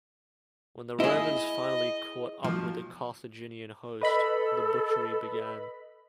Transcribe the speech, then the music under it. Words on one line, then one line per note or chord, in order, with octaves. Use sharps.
When the Romans finally caught up with the Carthaginian host, the butchery began.
E4 G#4 D#5
B1 F3
A4 B4 D#5 B5